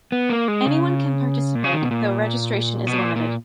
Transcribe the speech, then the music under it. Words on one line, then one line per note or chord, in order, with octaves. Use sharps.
Anyone can participate, though registration is limited.
B3
A#3
G#3
C#3
A#2
C#3
D#3
B2
A#2
B2
A#2
A#2